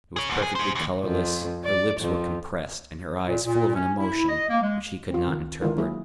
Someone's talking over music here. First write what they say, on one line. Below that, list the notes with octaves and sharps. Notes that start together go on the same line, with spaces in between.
It was perfectly colourless, her lips were compressed and her eyes full of an emotion which he could not interpret.
G#4 C#5
D2 G#2
F2 G#4
G#4 C5
D#2
F2
D5
F2
A#2
A#2
C#4
E4
D#5
A#3
G#3
C4 F4
D#3
D3 D#3 G#3 E4 F4 A#4
F#3 A#3 E4 G#4